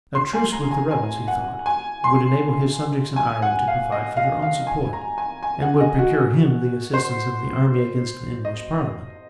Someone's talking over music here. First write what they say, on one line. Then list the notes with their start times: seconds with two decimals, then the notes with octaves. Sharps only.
A truce with the rebels, he thought, would enable his subjects in Ireland to provide for their own support, and would procure him the assistance of the army against the English parliament.
0.15 C6
0.33 G#5
0.52 A#5
0.71 G#5
0.91 G#5
1.28 F#5
1.66 G#5
2.04 C6
3.16 G#5
3.42 F#5
3.68 F5
3.92 D#5
4.17 F5
4.42 F5
4.67 G#5
4.93 A#5
5.18 G#5
5.43 G#5
5.62 F#5
5.80 D#5
5.99 F#4
6.94 C5
8.45 D#5